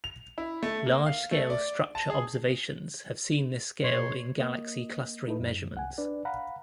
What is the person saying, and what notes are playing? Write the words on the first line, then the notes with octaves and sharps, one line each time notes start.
Large-scale structure observations have seen this scale in galaxy clustering measurements.
F7
E4
A3
A#3
F5
A3
D5
A5
G#4
B2 C#5 C6
A#3 D#5
A3 D#4 E4 A4 B4
F#2
C2 F#5 G#5
D4 B4 D5
F5 F#5 A#5 B5